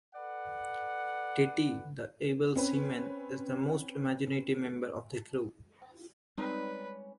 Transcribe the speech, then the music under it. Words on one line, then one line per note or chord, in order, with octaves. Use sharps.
Titty, the "able seaman", is the most imaginative member of the crew.
A4 B4 D5 F#5
C4 C#4 B4
G3 G#3 C4 C#4 D#4 B4 D5